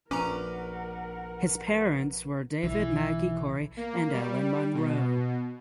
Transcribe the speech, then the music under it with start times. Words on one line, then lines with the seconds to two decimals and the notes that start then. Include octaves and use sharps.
His parents were David Magie Cory and Ellen Monroe.
0.11 A#1 C#4 A#4 B4 F#5 A#5 C#6 D6
2.63 B1 E3
3.77 A#3
4.13 G3
4.74 B2